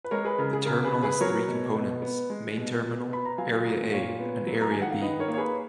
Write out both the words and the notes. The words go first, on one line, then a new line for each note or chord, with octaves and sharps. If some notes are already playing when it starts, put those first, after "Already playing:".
The terminal has three components, Main Terminal, Area A and Area B.
B4
G#3 A#4 C#5
G#4 B4
C#3 A#4
G#4
C#3 A#4
G#4 B4
B3
G#4 B4
F#3 A#4 C#5
B2
B2
B3
G#3
B2
B2
B3 B5
A#5
F#3 F5 G#5
A#2
A#2 C#5 F5
B3
F#3
A#5
D#3 G#5
F#5
F5
D#3 B4 D#5
A#4 C#5
A#3
C#5
G#4 B4